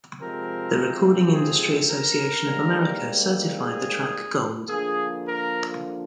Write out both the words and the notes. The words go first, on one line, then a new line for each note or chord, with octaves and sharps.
The Recording Industry Association of America certified the track Gold.
C3 F3 G#3 C4 A#4
G#4
A#4
G#2 G3 A#3
G#4
D3 F3 A#3 G#4
A#4